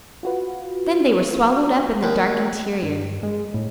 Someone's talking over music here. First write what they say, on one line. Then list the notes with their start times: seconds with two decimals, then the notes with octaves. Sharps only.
Then they were swallowed up in the dark interior.
0.23 F4 F#4 B4
2.03 D#2
2.83 G2
3.23 G#3
3.54 A2